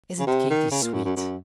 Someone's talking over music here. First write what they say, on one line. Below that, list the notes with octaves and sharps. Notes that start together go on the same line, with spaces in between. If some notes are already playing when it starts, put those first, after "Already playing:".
"Isn't Katy sweet?"
C#3
C3
D#3
C#3
A#2
F#2
F#2
F#2